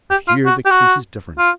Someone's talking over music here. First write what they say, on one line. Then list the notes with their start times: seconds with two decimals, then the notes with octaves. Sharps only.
But here the case is different.
0.11 G4
0.28 F4
0.46 F#4
0.66 G4
0.71 F#4
1.39 F4